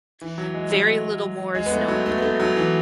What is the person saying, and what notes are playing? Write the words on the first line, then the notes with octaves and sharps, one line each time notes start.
Very little more is known about her.
E3
F#3
G#3
F#3
G#3
B3
A3
F#3
A3
B3
A3
F#3
E3